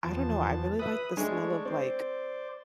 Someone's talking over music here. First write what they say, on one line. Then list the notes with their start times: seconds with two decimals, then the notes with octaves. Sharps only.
I don't know. I really like the smell of, like,
0.04 E2 F3 A5
0.79 B4 E5 B5 D#6
1.17 G#3 A3 D4 C#5
1.65 C4 C5 D5